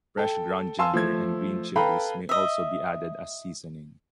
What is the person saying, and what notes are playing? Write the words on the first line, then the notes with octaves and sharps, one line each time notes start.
Fresh ground ginger and green chillies may also be added as seasoning.
A4 G5
F5 G#5 A5 C6 E6
F3 A3 G#6
A4 B4 F5 G5 A#5 B5
D#5 E5